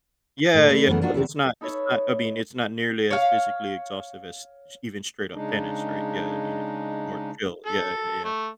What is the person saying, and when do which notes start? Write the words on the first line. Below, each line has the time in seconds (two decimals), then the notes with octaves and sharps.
Yeah, yeah, but it's not it's not, I mean, it's not nearly as physically exhaustive as s even straight-up tennis, right? Yeah, I mean, it's it's more chill. Yeah, y y yeah.
0.54 A2
0.68 E3 F3 A3 D4 E4
0.86 F#2 C#3 E3 A3 B3
1.01 A#3 D4 D#4 F4 F#4
1.14 E2 C3 E3 E4
1.61 D#4 A4 B4 C#5 E5
3.11 C#5 F5
5.33 C#3 G#3 D4 D#4
7.66 A4
8.25 A3